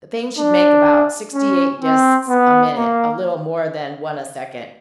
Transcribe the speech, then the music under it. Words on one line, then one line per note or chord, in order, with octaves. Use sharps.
"The thing should make about sixty-eight disks a minute--a little more than one a second."
D4
C#4
C4
B3
A#3